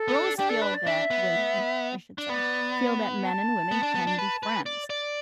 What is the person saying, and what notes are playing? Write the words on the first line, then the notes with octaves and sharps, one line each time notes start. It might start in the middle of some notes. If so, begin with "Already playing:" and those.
girls feel that women, I should say, feel that men and women can be friends.
Already playing: A4
B3
D4
D4 G4
A4
B4
D5
D4 E5
B3
D4
B3 D5
A5
B3
D4
B3
D4
B4
B4
D5
D5